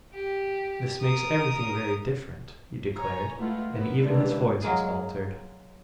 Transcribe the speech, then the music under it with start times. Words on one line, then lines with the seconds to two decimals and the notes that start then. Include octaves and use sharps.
"This makes everything very different!" he declared; and even his voice was altered.
0.13 G4
1.00 A#4 D#6
2.96 C#5 G#5 A#5
3.38 G#3 A3 B3 E4 F4
3.72 A#3 B3 E4
4.04 C#3 E3 G3 G#3 A#3 D4
4.62 F#3 G#3 A#3 G#4